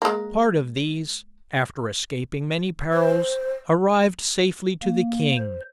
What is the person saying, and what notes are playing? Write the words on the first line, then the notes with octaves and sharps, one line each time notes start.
Part of these, after escaping many perils, arrived safely to the king.
G#3 A#3
C5
A#3
C5